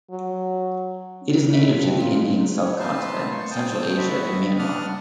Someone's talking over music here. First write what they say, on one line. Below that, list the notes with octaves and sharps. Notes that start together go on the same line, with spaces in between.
It is native to the Indian subcontinent, Central Asia and Myanmar.
F#3
A#4
E5
G#3
F2
A#2
G#3
C#5
A#3 D#4 B4 C5 A5 C6
C6 C#6
C5 G5 A5 D#6
F#4 B4 D#5 E5
D4 D5 F#5 D#6 F6